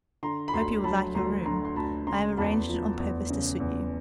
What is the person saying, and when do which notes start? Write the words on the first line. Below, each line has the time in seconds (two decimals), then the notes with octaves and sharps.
I hope you will like your room; I have arranged it on purpose to suit you.
0.23 D3 A#5 C6
0.48 B5
0.54 D2 A#5 C6
0.84 F#3 A5 B5
1.15 D2 A#5 C6
1.45 D3 A#5 C6
1.65 C6
1.76 D2 A5 B5
2.07 C#3 A#5 C6
2.37 E2 A5 B5
2.68 F3
2.99 E2
3.30 C#3
3.60 E2